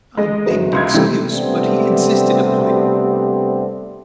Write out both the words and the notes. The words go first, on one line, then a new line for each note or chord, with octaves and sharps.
I begged excuse; but he insisted upon it.
G#3 G#4 D#5
G1 F#3 B4
C#2 C6 G#6
C3 E3 G3 A3 G4 A4
C3 G3 A3 B3 C4 D4